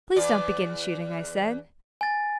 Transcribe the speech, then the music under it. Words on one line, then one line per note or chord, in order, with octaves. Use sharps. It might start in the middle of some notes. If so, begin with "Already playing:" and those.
'Please don't begin shooting,' I said.
E2 D5
G#5 A6